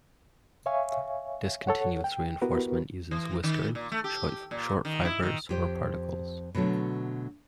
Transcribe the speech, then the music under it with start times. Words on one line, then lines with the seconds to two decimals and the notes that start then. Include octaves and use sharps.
Discontinuous reinforcement uses "whiskers", short fibers, or particles.
0.66 C#5 E5 F5 G#5 C#6
1.67 A4 C#5 F#5
2.04 G5
2.42 B3 E4 F#4 G4 A#4 B4
3.11 E3
3.44 D#3
3.75 A#2
3.92 A3
4.04 G4
4.51 A#2
4.85 D#3
5.05 E4
5.22 D#3
5.49 F2 G4 C5
6.55 B2 D3 F#3 A3